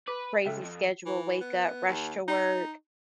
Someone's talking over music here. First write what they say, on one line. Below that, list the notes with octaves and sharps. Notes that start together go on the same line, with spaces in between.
crazy schedule, wake up, rush to work,
B4 D6
C#2 A4 E5 G5
F2
E3
B3
D#2
D#4